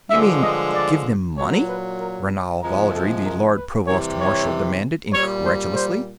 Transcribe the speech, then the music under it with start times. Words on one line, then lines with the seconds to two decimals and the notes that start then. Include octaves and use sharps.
"You mean, give them money?" Ranal Valdry, the Lord Provost-Marshal demanded, incredulously.
0.11 G2 D3 F3 G#3 E5
0.43 D#5
0.74 D5
1.37 A#2 F#3 C#5
1.68 B4
2.00 A#4
2.63 C3 F3 G#3 A#4
2.94 A4
3.25 A#4
3.56 B4
3.87 C3 E3 G3 C#5
4.19 C#5
5.13 A#2 G3 C#5
5.45 C5
5.76 C5